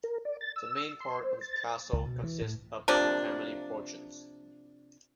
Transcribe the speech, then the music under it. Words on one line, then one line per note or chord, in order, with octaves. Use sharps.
The main part of the castle consists of the family portions.
A#4
D5
A6
E6
C6
C5
A6
C#2
B2
E3
A2
C3 F3 A#3 D4